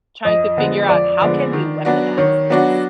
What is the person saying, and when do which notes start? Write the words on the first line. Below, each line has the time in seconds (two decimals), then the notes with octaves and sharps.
trying to figure out, "How can we weaponize this?"
0.25 F2 D#5
0.57 D3 F3 G#3 B3
0.89 F2 D5
1.21 D3 F3 G#3 B3
1.53 D#3
1.85 F#3 B3 D4 F#4
2.17 D#3 C#5
2.50 F#3 B3 D4 F#4